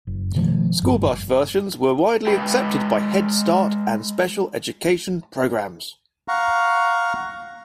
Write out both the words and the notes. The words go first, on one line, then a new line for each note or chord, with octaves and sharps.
School bus versions were widely accepted by Head Start and special education programs.
F#1
B2 D#3 F3 A3
G1 G2
G#3 B4 G5
F5 F#5 A#5 C#6